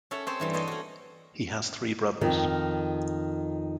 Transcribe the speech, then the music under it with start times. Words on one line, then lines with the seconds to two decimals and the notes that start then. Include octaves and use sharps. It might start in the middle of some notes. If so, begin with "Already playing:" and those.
He has three brothers.
0.11 C#4 A4 C#5 E5 F#5
0.27 C4 G#4 A4 C5 C#5 C6
0.40 G2 E3 G3
0.53 A4 C5 C#5 D#5 G5 G#5
0.68 C#4 F#4
2.21 F2 D#3